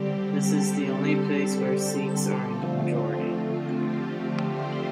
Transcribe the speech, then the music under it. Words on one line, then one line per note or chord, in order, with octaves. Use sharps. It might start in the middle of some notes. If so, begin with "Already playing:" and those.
This is the only place where Sikhs are in the majority.
Already playing: D3 G3 C4 G4
A4
G4
D3 F3 A3 C4 F4
F4
G4
C5